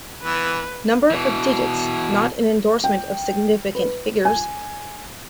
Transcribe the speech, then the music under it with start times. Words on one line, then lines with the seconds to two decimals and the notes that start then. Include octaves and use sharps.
Number of digits not an endorsement of significant figures.
0.23 E3 B3 B4
1.10 B2 E3
2.84 G5
3.75 B4
4.25 G#5